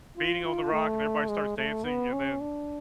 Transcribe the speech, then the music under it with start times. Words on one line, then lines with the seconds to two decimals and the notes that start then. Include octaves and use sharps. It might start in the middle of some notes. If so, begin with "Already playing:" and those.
beating on the rock and everybody starts dancing and then
0.17 F4
0.45 F4
0.72 A3
1.29 G#3
1.57 A3
1.84 B3
2.13 C#4
2.41 D4